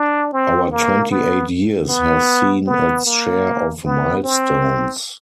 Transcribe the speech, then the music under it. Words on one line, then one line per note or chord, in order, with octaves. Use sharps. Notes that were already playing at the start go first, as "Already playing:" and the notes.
Our twenty-eight years has seen its share of milestones.
Already playing: D4
C4
A#3
B3
B3
B3
A#3
B3
C4